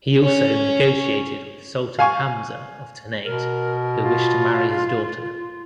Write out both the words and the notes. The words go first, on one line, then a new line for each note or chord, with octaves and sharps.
He also negotiated with Sultan Hamza of Ternate who wished to marry his daughter.
C#4 C#5
F5 G#5 C#6
B2 A#4
F4